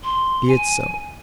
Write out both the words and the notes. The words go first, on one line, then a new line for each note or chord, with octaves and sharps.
Be it so.
C6
G#5